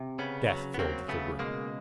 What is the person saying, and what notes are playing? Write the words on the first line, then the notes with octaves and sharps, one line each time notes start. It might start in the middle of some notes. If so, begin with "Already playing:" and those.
Death filled the room.
Already playing: C3
C#3 B3 C#4
F#3
B3
F#3 A#3 C4
C#3 A3 B3
B2 G#3 A#3